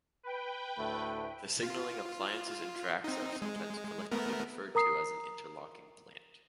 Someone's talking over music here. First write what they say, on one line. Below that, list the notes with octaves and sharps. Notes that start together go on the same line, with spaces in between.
The signalling appliances and tracks are sometimes collectively referred to as an "interlocking plant".
B4 G5
D2 A2 A3
F4
C4 D#4
G#3
A3 B3 A#4
A#4 A#5 D#6 C7